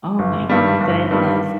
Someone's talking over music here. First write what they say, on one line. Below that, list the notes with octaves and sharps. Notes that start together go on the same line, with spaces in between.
Oh my goodness.
G1
G2 D#3 G3
G1
G2 D#3 G3